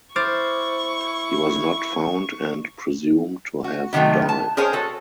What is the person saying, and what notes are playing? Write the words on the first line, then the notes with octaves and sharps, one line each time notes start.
He was not found and presumed to have died.
E4 C5 C#6 D6 F6 A6
F#4
C3 D#3 E3 F#3 A3
A5
G#4 A#4 C5 C#5 G#5
F#4 A4